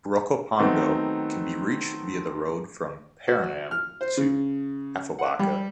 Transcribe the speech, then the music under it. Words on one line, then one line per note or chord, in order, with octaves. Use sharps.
Brokopondo can be reached via the road from Paranam to Afobaka.
D#3 F#3 A3 B3 C4
F#4
F6
C5
C#3
F#5
G3